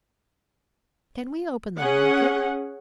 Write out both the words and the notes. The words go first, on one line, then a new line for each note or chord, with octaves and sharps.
Can we open the locket?
C#4 G#4 F#5